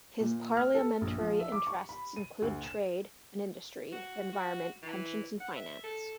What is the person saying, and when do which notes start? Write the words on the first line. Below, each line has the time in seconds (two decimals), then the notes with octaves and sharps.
His Parliamentary interests included trade and industry, the environment, pensions and finance.
0.20 A#2
0.57 F6
0.74 A4
1.01 A#1
1.18 F3
1.40 E5
1.52 D6
1.67 C#6
1.89 B5
2.16 D#7
2.42 D2
2.64 E7
3.92 F#4
4.33 F#4
4.83 E3
5.40 F#5
5.56 E5
5.84 A4